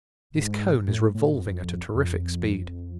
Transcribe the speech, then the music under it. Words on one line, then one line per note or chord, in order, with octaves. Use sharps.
This cone is revolving at a terrific speed.
G#2
A2
A2
F#2
F2
F2